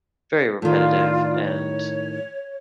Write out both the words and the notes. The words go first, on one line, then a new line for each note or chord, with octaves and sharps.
very repetitive and,
A2 D#3 F4 D5
C#5